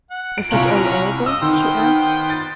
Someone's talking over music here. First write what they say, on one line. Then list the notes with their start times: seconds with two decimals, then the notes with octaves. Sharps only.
"Is it all over?" she asked.
0.10 F#5
0.38 D7
0.51 C2 C#4 F4 C#5 A#5 F#7
1.26 D#5 E6
1.42 D#3 B3 C5 G5
2.30 A6